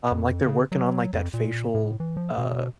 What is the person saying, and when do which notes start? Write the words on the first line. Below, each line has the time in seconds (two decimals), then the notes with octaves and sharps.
Um, like, they're working on, like, that facial, uh,
0.11 F2
0.46 C#3
0.72 F#3
1.13 F2
1.34 A#2
1.74 A2
2.00 E3
2.17 F3
2.38 B2